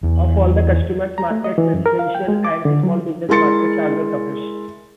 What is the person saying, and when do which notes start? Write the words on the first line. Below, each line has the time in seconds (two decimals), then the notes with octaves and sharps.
Of all the customer markets, residential and small business markets are the toughest.
0.03 E2
1.18 A#5
1.31 A3
1.44 D#5
1.58 E3
1.74 F#2
1.86 A#4
1.99 F5
2.15 G5
2.28 G#3
2.45 D6
2.65 D3
2.83 F#3
3.29 G#3 E4 A#4 C6 A6 C#7